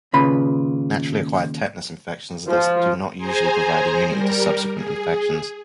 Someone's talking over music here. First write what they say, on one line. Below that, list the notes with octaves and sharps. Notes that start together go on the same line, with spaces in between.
Naturally-acquired tetanus infections thus do not usually provide immunity to subsequent infections.
D#2 A#2 C#3 B4 B5
F3
G#4 C5 G#5 A#5
G3 A#4
G#4